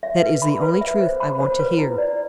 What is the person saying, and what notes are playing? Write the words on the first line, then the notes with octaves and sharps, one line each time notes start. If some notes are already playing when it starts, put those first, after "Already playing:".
"That is the only truth I want to hear."
E5
B4
B5
B4
E5
C5
B5
C5
B4
E4
D5